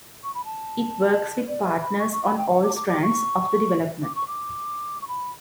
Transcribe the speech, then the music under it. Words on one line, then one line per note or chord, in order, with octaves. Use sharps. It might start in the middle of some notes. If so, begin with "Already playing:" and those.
It works with partners on all strands of the development.
C#6
B5
A5
D5
E5
B5
C#6
C#6
B5
G5
F#5
D6
D6
D6
C#6
D6
C#6
D6
C#6
B5